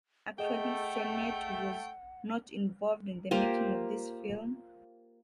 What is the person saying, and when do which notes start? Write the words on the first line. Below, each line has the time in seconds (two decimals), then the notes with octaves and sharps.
Actually, Sennett was not involved in the making of this film.
0.39 A3 G#4 D#5 F#5 G5
3.31 A#3 F4 G4 C5